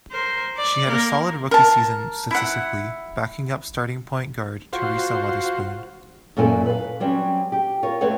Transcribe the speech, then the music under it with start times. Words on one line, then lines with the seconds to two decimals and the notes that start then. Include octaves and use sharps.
She had a solid rookie season statistically, backing up starting point guard Teresa Weatherspoon.
0.11 A#4 C5
0.57 D5
0.86 A#3 A#4
1.51 A#4 A5
2.31 E4 F#5
4.73 F4 F#4 C5
6.37 F#2 A#2 A#3 E4 A4 G#5
6.66 B4 F5
7.00 F#3 G3 C4 C#4
7.52 G4
7.83 F4 A#4 C#5
8.01 F2 A3 C4 B4 C#5 F#5